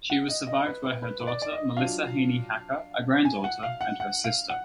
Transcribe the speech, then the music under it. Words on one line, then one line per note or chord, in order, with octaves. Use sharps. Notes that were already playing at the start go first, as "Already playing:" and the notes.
She was survived by her daughter Melissa Haney-Hacker, a granddaughter, and her sister.
F#5
D#5
D#5
B4
B4
B4
B4
D5
D5
D#5
F#3 D4 F4 F5
G#5
F#5
F5
F#5
F#5
F5
F#5